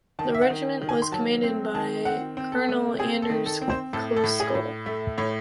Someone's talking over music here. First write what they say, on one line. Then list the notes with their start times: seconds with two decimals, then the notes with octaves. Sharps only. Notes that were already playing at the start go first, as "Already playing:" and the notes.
The regiment was commanded by Colonel Anders Koskull.
0.19 D#3 A5
0.34 E5
0.42 F#5
0.50 D#3
0.81 D#3
0.89 G#5
1.02 C6
1.12 F#3 A5
1.43 C4
1.74 D#3 A5
2.05 C4 F#5
2.37 C4
2.52 A4
2.69 A3
2.99 C4 G#4
3.22 A4
3.30 D#3
3.46 A4
3.62 C4
3.70 C5
3.93 A2 A4
4.17 A4
4.24 A2
4.40 G#4
4.55 A2
4.86 A3 E5
5.18 A2 C#5